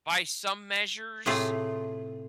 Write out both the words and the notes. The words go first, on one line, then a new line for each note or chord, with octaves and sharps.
by some measures,
A2 C3 A3 F4 G#4